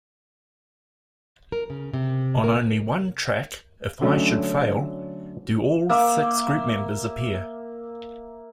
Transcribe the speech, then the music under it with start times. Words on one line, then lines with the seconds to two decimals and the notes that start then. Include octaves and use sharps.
On only one track, "If I Should Fail", do all six group members appear.
1.52 A#4
1.70 C#3
1.94 C3
2.44 A#4
4.01 D3 F#3 A3 C#4
5.89 A#3 E5 D6